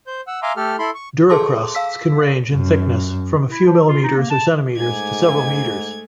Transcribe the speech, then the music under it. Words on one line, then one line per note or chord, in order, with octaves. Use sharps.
Duricrusts can range in thickness from a few millimeters or centimeters to several meters.
C5 G6
F#5 E6
E5 F5 G#5 A#5 C6 D6
A3 G4 A4 F6
E4 A4 B5 C6
C#6
G#4 A4 A5 C6 D6
F5 E6 B6
F#2
E4
F3
F4
D#4
A#3
A5
G#2 G#3 A3 G#5 D6 G#6